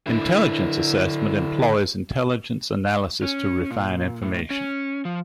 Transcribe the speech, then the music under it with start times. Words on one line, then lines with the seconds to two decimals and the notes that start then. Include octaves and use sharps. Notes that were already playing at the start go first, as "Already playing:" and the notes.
Intelligence assessment employs intelligence analysis to refine information.
0.07 D3 E4
3.22 C#4
3.71 A#2
4.22 A2
4.50 C#4
5.05 F3